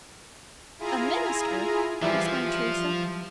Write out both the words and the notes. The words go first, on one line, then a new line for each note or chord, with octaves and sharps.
"A minister!" exclaimed Teresa.
E4 F4 G#4 G#5 A#5
E3 F3 G3 E4 F4 E5